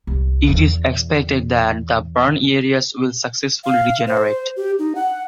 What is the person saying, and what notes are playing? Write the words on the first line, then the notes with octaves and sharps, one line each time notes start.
It is expected that the burned areas will successfully regenerate.
C2
E2
F5
C5
G4
D#4
F#5